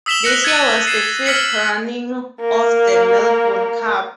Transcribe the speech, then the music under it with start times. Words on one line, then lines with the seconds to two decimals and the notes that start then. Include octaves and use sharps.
This year was the fifth running of the Melbourne Cup.
0.06 D#6 E6 B6 E7 F#7 G7
0.24 F#6 A#6 C#7
0.44 E6 G#6 A6 C#7 D#7
0.87 A6 C7 E7
1.26 E6 F6 A6 B6 C#7 F#7
2.40 A#3 A#4